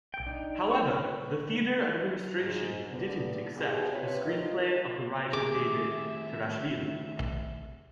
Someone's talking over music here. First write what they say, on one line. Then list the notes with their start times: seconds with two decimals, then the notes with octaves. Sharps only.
However, the theater administration didn't accept the screenplay of the writer David Turashvili.
0.14 G5
0.27 D4 D#4
0.71 C#6
0.92 B4
2.38 G#2
2.89 E2 G2 D3 B3
3.55 B2 E3 B3 G4 G#4
3.90 C3 F4 B4 C#5
4.23 D2 D#3 F3 A#4 D#5
5.33 D#3 A3 C4 G4 G#4 E5 D6